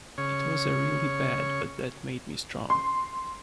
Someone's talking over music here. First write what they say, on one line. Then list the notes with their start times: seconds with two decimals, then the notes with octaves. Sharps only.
It was really bad, but that made me strong.
0.18 C#3 C#5
2.70 C6